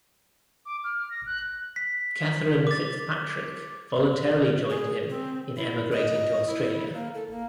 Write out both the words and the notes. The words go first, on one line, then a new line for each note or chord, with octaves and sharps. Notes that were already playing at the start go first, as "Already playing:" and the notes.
Catherine Fitzpatrick voluntarily joined him in emigrating to Australia.
D6
F6
A#6
F#6
B6
D6 A6
G#4
C4
E4
D#5
E4
A#3
A4
A#3